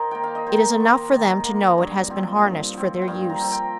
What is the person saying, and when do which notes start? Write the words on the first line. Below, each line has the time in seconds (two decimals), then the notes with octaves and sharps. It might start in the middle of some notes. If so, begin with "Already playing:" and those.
It is enough for them to know it has been harnessed for their use.
Already playing: D#3 A#4 C5 D#5
0.11 A#3 G5
0.24 F5
0.35 D#5
0.47 D#3 C5
0.80 A#3
1.12 D#3
1.44 A#3
1.78 G2
2.10 F3 C4
2.43 G2
2.74 F3 C4
3.02 G5
3.08 G2 F5
3.30 A#5
3.40 F3 C4
3.51 G5